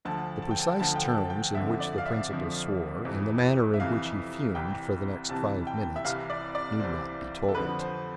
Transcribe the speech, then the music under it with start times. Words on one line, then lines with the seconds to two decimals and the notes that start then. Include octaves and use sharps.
The precise terms in which the principal swore, and the manner in which he fumed for the next five minutes, need not be told.
0.05 D2 D3 F3 A5
0.42 A5
0.51 G5
0.59 A5
0.80 D2 D3 F3 A5
0.96 G5
1.05 A5
1.30 G5
1.55 F2 D3 F3 E5
1.80 D5
1.98 F5
2.06 E5
2.30 F2 D3 F3
3.05 F2 C3 E3
3.74 E5
3.80 F2 C3 E3 F5
4.55 C2 C3 E3 G5
5.29 C2 C3 E3 A5
5.67 G5
5.96 E5
6.05 C2 C3 E3 F5
6.30 D5
6.55 D5
6.80 C2 C3 E3 C5
7.48 A4
7.55 F2 D3 F3 B4
7.80 C5